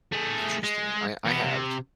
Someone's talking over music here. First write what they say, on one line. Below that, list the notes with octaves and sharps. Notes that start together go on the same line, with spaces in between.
Interesting, I I have
A3 G#4
G#3
E3 B3
C3